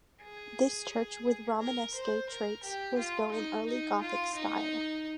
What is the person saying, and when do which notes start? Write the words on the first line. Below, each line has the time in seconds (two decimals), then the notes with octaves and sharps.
This church with Romanesque traits was built in early Gothic style.
0.22 G#4
1.61 A#4
1.94 C5
2.29 A#4
2.63 G4
2.98 F4
3.31 D#4
3.66 D#4
4.01 F4
4.35 D#4